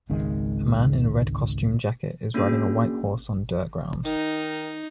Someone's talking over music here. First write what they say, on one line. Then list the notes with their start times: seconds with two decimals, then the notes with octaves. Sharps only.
A man in a red costume jacket is riding a white horse on dirt ground.
0.10 G#1 C#2 D#3 G#3
2.34 A#3 C#4 D4 F#4 G#4
4.05 D#3 D#4